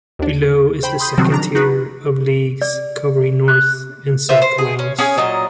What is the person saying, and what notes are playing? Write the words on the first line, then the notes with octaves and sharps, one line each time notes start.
Below it is the second tier of leagues, covering north and south Wales.
D#2 D4
C5 G5 B5
B5 C6 D#6 G6
C3 D#3 F3 F#3 C4 F#4
D#3 D4 A#5
D#4 F#4 B4
D5
F#6
F4 B4 C5 E5
C5
G#4
C#4
C#4 G#4 G#5
A#2 F#3 D#5